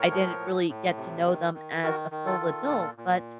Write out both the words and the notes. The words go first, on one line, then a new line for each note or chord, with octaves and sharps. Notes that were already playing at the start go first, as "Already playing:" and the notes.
I didn't really get to know them as a full adult, but
Already playing: A2 A#4 C#5
F3
A2
A2
C3
D#3
D#3
D#3 F#4 A#4
D#3
F4 A4
D#3
A#2
A#2